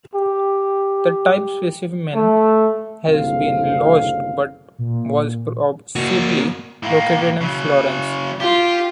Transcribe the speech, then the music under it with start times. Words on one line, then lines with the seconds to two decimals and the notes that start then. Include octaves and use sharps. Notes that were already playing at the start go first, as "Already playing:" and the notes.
The type specimen has been lost but was possibly located in Florence.
0.15 G4
2.15 A3
3.06 F#1 C2 A2 D3 C4 F5
4.78 A#2
5.96 A#3 F#4
6.83 A2 A#3
7.41 C#3 F#3
8.40 F4 G4